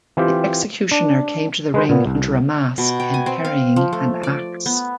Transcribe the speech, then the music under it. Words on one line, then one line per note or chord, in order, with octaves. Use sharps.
The Executioner came to the ring under a mask and carrying an axe.
E3 C4 F4 G4
D4
G#3 B4 C5
A#2 B3
C2
B2
G5
G#5
C4
F5
F3
A3
D5
B3